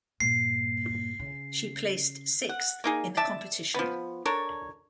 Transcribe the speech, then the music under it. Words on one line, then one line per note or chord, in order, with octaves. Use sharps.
She placed sixth in the competition.
G2 A#2 C7
C#3
F#5
A#3 D#4 G#4
D5 E5 A5
F3 B3
D4 A4 A#4 C#5